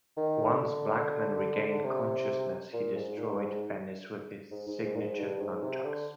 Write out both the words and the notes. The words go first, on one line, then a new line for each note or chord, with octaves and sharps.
Once Blackman regained consciousness, he destroyed Venis with his signature Nunchucks.
D#3
D3
C3
A#2
G#2
A#2
G2
G#2
G#2
G#2
G#2
A#2
G#2
G2
G#2
C3
D3